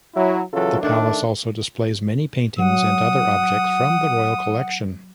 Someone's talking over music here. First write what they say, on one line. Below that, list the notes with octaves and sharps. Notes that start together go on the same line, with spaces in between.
The palace also displays many paintings and other objects from the Royal Collection.
F#3 E4
C#3 E3 F#3 F4 A4
D#3 A3 D4
F#3 F#5 D#6